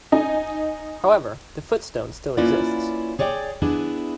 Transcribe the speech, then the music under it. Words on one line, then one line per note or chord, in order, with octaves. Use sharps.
However, the footstone still exists.
D#4 D#5 G#5
A#3 C#4 E4 F4 B4 D5
G#4 C#5 D5 F#5 G5
B3 D4 E4 G#4